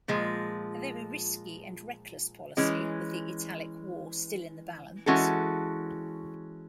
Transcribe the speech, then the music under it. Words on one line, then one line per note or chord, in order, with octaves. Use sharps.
A very risky and reckless policy with the Italic War still in the balance.
A#2 F3 G#3
E3 G#3 C#4
E3 G#3 C#4 F#4 A4